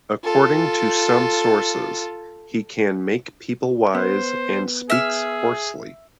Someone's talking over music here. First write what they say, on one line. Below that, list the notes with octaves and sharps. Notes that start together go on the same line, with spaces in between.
According to some sources, he can make people wise, and speaks hoarsely.
F4 A4
B3 C5
G#4 E5 F6